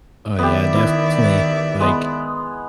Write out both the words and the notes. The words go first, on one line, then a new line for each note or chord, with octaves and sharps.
Oh, yeah, definitely. Like,
D#3 B3 G4 D5 E5
E4
G#3 B3